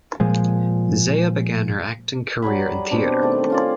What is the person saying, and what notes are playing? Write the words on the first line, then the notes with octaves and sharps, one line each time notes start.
Zea began her acting career in theatre.
A#2 F3 G#3
F#3 G3 G#5 B5
B2 G3 C4 D4
D#3 A3 D5
C#4 F4 D5